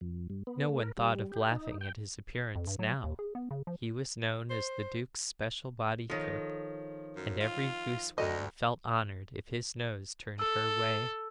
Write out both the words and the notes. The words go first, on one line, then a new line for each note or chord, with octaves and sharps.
No one thought of laughing at his appearance now; he was known as the duke's special body cook, and every goose-woman felt honoured if his nose turned her way.
F2
G2
B3
A3
A#4
G3
G4
D#4
G5
F2
G2
F#3
D#2
G#4
B3
C#3
F3
C5
D#3 F3 A4 C#5
F#2
F4
D2 F#4 A4 D5 D#5
A4 E6